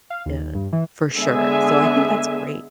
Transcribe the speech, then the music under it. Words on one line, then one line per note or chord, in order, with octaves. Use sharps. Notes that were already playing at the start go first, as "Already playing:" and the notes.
yeah, for sure. So, I think that's great,
F5
D#2
G2
E3
D3 G#3 B3 G#4 E5 G#5